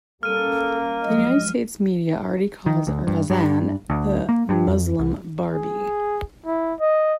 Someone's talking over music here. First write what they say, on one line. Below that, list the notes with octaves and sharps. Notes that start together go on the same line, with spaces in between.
The United States media already calls "Razanne" the "Muslim Barbie".
G3 A#3 C#4 A4 F6 D#7
F3 F#3 G#3 D#5
D#3
D2
G2
G2
D2
A#3
G2
F2
C2
G#4
E4
D#5